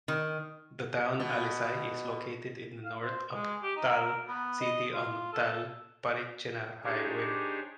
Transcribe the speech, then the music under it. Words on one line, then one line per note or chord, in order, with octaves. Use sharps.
The town Alizai is located in the North of Thall city on Thall-Parachinar Highway.
D#3
B2
F5
C5
G#3
G4
D#4
A#4
B3
D#5
F4
A4
D4 D#4 G4 G#4 C5 C#5